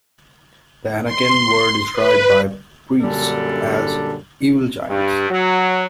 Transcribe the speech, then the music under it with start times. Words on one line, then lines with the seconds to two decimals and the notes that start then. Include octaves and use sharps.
The Anakim were described by priests as evil giants.
1.05 C6
1.93 B4
3.01 F#2 A#2 D3 G3 D4 A4
4.88 G2
5.30 F#3